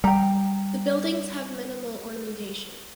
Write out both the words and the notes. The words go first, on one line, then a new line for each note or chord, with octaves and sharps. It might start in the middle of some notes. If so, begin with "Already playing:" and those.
The buildings have minimal ornamentation.
G3 G5 A#5